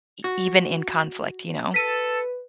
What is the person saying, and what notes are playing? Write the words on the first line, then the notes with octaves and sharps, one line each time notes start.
e even in conflict, you know?
F#4
A4 B4 B6 D#7